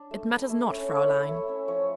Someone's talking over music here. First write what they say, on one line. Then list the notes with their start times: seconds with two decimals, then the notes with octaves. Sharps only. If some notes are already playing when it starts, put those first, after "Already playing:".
'It matters not, Fraeulein.
Already playing: D4
0.11 A3
0.29 E4
0.49 A3
0.70 C#4
0.88 A3 C#5
1.08 E4
1.29 A3
1.48 C#4
1.68 F3 C#5